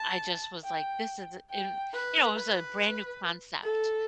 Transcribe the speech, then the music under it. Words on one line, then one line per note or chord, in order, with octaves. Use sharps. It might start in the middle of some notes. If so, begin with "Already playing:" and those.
I just was like, "his is i" and, you know, it was a brand new concept,
Already playing: A5
G5
G5
B4
B4
A4